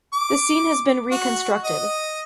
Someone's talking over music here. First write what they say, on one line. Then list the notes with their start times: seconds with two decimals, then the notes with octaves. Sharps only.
The scene has been reconstructed.
0.13 D6
1.12 F#4
1.64 D#5